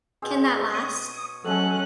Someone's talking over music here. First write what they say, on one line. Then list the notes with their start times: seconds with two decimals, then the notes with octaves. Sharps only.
Can that last?
0.22 B2 C4 G#4
0.74 C#5 C#6 D#6
1.44 F#3 G#3 A3 C#4 F#4 A4 F#6